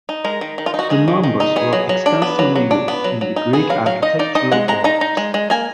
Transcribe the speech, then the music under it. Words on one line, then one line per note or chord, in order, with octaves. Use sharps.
The numbers were extensively used in the Greek architectural orders.
D#4
G#3 A#4
D#3
D#3
F4
D#4
F#4
G#3 G#4
D#3
D#3
D#4
B3 G#4
F#3
F#3
D4
B3
F#3
F#3
D4
B3
F#3
F#3
D#4
B3 G#4
F#3 F5
F#3 F5
D#4 D#5
D#4 D5
D#4 D#5
G#3 F#5
G#3 A#5
D#4 A#5
D#4
G#3
G#3
A#3 G#5